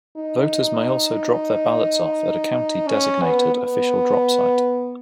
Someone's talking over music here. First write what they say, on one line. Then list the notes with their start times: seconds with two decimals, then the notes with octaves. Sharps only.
Voters may also drop their ballots off at a county designated official drop site.
0.17 D#4
2.88 C#4
3.22 B3
3.55 B3